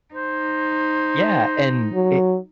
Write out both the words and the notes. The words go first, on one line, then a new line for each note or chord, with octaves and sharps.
Yeah, and it
D#4 C5
F#3